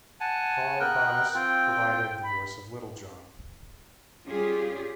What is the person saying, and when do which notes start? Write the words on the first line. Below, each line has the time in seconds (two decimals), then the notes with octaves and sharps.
Carl Banas provided the voice of Little John.
0.20 F#5 G#5 A5
0.80 B3 A#4 G5 F#6
1.35 C4 F4 G5
2.23 B5
4.26 G3 C#4 F4 G4 G#4